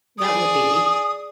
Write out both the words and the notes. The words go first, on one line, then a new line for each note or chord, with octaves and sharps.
That would be.
G#4 D5 D#6